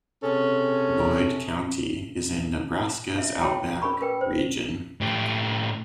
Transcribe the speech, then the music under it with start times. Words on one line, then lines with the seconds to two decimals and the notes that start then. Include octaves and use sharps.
Boyd County is in Nebraska's Outback region.
0.22 C3 C#4 G#4 A4
3.16 E5 F5
3.41 F#4 C#5 G5 A#5
3.82 C#4 G#4 A#4 B5 C#6
4.01 G#4 A#4 B4 G5
4.21 C5
5.01 A2 G4